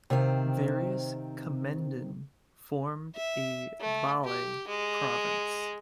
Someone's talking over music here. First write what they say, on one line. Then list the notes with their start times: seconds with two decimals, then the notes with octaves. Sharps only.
Various "Kommenden" formed a "Ballei" province.
0.10 C3 D#3 C4 F5
3.15 E5
3.80 A3
4.25 G4
4.68 G#3